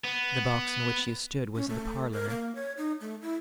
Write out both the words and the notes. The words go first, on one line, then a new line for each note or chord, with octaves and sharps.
The box in which you stood was the parlor.
B3
C#4
A3
A#4
A#3
C#5
D#4
A3
E4